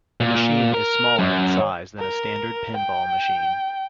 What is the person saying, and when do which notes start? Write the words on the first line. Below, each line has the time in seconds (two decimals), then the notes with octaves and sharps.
The machine is smaller in size than a standard pinball machine.
0.21 A#2
0.74 A#4
1.19 F#2
1.99 A#4
2.76 G5